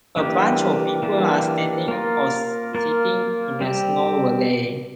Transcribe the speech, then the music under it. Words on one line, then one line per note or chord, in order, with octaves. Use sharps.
A bunch of people are standing or sitting in a snow valley.
E3 A#3 D4 G4
E3 A#3 D4 G4
A#3 F4 A#4
A#3 F4 A#4
G3 C4 G4